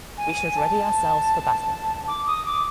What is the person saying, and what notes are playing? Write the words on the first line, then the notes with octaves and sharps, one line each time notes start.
We should ready ourselves for battle.
G#5
A5
D6
D#6
D6